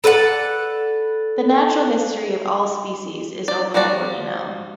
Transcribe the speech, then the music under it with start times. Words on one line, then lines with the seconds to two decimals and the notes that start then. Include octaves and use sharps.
The natural history of all species is only poorly known.
0.04 A4 B4 D5 F#5
3.48 D5
3.74 F3 G3 F#4 D5